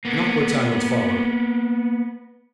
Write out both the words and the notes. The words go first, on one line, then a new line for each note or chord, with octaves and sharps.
An awkward silence followed.
A#3 B3